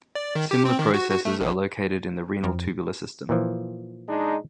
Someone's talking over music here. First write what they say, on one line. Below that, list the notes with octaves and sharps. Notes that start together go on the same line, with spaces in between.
Similar processes are located in the renal tubular system.
D5
D#3
G4
C4
D#3
F#4
F#4
A3
A#1
F2
A#2 E3 F3
G#3 D4 D#4